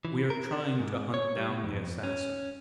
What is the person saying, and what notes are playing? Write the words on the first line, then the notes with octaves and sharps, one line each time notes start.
We are trying to hunt down the assassin.
E3
A#4
D4
G#2
C#5
G3
B2
F2
C#4